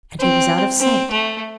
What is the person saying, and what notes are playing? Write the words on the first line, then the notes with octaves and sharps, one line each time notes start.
And he was out of sight!
C4
C4
A3